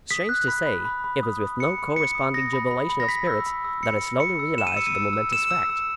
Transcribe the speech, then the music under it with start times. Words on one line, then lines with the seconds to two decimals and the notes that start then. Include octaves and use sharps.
Strange to say, it was with no corresponding jubilation of spirits that I slowly realised the momentous fact.
0.11 D#6 B6
0.29 F#6
0.48 B5
0.66 B5
0.85 B5
1.04 B5
1.23 D#6
1.41 D#6
1.60 D#6 C#7
1.78 B5
1.96 B5 C#7
2.15 D#6
2.34 D#6 A#6
2.53 B5
2.71 B5
2.89 B5
3.00 A#6
3.09 B5 B6
3.27 E6
3.46 B5
3.64 E6
3.83 B5 C#7
4.01 B5
4.20 B5 C#7
4.39 E6
4.58 B5 E7
4.67 D#7
4.77 E6 C#7
4.87 D#7
4.95 E6
5.13 E6
5.32 E6 E7
5.51 E6
5.69 E6